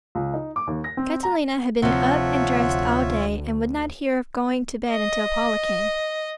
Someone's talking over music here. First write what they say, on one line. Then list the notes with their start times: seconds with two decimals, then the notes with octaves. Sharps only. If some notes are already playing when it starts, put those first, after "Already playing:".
Catalina had been up and dressed all day and would not hear of going to bed until Paula came.
0.15 C#2
0.34 D#4
0.56 D6
0.67 D#2
0.84 A#6
0.97 C4
1.23 A#5
1.82 D2 C3 F3 F4 C#5 E5 F#5
4.90 D#5